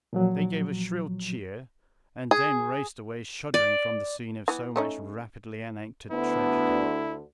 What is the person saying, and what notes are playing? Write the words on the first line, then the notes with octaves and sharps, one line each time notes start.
They gave a shrill cheer, and then raced away shuddering from the scene of so much rapidly enacted tragedy.
A#2 F3 F#3
G#4
D5
E3 B3
A3 C#4 D#4
D2 D3 B3 E4